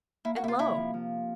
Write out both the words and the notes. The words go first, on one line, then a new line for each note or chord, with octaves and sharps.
And lo!
A#3 E4
F#4
C3 E4
F4
C3 E4
F3
F3